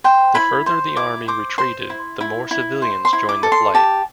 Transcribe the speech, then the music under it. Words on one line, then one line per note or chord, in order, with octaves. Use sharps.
The further the army retreated, the more civilians joined the flight.
C5 G5
E4 B5
C5
E4 D6
C5 D6
C5 C6
E4
E4
E4
C5
C6
E4
D6
A4
C6
G4 A5